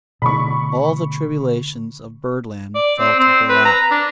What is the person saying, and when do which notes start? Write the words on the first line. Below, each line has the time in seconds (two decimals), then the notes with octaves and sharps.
All the tribulations of birdland fell to her lot.
0.22 B2 D3 A3 B5 C#6
2.75 D5
2.99 C4
3.20 C4
3.49 B4
3.65 A#5
3.91 D4